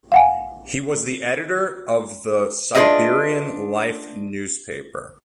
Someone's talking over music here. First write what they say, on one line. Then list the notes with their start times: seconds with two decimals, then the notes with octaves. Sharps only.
He was the editor of the "Siberian Life" newspaper.
0.12 F5 F#5 G#5
2.75 D4 F4 G#4 B4 D#5 E5